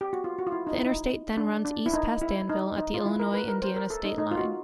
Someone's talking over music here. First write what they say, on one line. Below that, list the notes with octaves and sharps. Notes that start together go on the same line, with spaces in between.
The interstate then runs east past Danville at the Illinois-Indiana state line.
G4
F#4
F4
F#4
F4
E4
D#4
E4
D#4
D4
D4
E4
D#4
E4
D#4
D#4
F4
E4
A#4
B4
A#4
C5
A#4
A4
D#4
D#4
F4
F#4